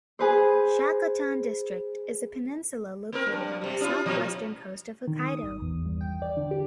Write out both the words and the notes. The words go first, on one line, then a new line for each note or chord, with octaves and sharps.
Shakotan District is a peninsula located on the southwestern coast of Hokkaido.
G#4 B4 C5
A#3 C4 A#4
G2
C3 G3
C#4 E4 F4
A#2 F3 G3
D#3
D#6
G#1
E2
G2
G5
D5
D3
G4